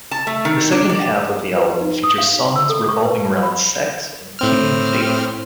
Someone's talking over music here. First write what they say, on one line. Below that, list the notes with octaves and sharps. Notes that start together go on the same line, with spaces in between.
The second half of the album features songs revolving around sex and keeping faith.
A5
A3
D#3
D4
D5
B4
D#4
D#6
F5
E6
A4
C#6
B4
B5
A2 C4 F6